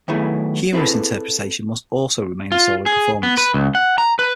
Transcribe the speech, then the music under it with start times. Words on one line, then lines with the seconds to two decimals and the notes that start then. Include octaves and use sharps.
Humorous Interpretation must also remain a solo performance.
0.08 D#3 F#3 A3 B3 E4 G#4
0.73 C4 E4 G#4 A4 B4
2.52 F4
2.86 G#4
3.23 B3
3.38 B4
3.54 C#2
3.75 F#5
3.98 A#5
4.19 B4